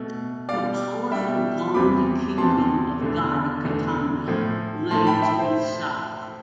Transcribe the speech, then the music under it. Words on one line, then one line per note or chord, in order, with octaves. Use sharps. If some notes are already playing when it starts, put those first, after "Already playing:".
The powerful Gond kingdom of Garha Katanga lay to its south.
Already playing: B2 A3
B2 G3 D5 F5
B2 G3 E5 G5
E2 C3 F3 B5 D6
E2 C3 F3 A5 C6
E2 D3 A3
E2 D3 A3
A2 F3 A3
A2 F3 A3 A5 C6
G5 B5
E5 G5
C5